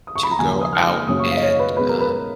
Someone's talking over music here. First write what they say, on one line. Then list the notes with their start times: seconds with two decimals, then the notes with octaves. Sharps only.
to go out and, um,
0.07 D#6
0.16 C#6
0.23 B5
0.31 A#5
0.38 D#2 C#3 F3 G#5
0.51 G#5
0.61 D#6
0.73 F6
0.91 D#6
1.07 F#2 C#3 F#3 A#3 C#4 D#6
1.20 C#6
1.31 F5
1.37 D#5
1.43 C#5
1.59 B4
1.77 B2 G#3 C#4 B4
1.89 A#4
2.00 B4
2.11 B4